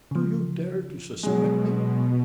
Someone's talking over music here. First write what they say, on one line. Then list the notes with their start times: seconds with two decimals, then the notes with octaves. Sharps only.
"Do you dare to suspect me?"
0.11 C#3 F3
1.23 B2 F#3 G#3